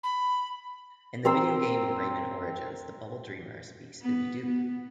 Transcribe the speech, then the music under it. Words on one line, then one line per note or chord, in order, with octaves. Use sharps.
In the video game "Rayman Origins", the Bubble Dreamer speaks Ubbi Dubbi.
B5
C4 A#4 C6 E6
B3
B3